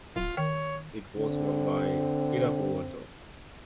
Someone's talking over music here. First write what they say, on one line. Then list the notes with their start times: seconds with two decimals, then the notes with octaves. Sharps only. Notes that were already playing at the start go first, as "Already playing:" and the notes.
It was won by Irapuato.
0.16 D1 F4
0.37 D#3 C#5
1.18 D3 C4